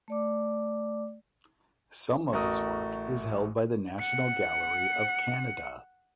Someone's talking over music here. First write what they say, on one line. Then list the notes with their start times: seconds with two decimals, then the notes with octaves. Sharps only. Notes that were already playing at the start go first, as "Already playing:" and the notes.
Some of his work is held by the National Gallery of Canada.
0.08 A3 D5 D6
2.32 A1 A3 F#4 A#4 D#6
3.99 F#5 C#7